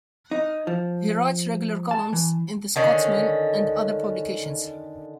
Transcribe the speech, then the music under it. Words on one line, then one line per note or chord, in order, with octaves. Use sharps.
He writes regular columns in "The Scotsman" and other publications.
D#4
F3
A5
E3
D3 D#3 C#4